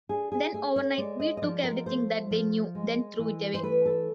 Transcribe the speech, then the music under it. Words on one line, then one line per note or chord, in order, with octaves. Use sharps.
Then overnight we took everything that they knew, then threw it away.
D4 G#4
G#4
A3 G#4
C#5
G#3 D5
D#5
D#5
F3 D5
A#4
A3 C5
F3
G#3
E3
C5
A3 B4
A4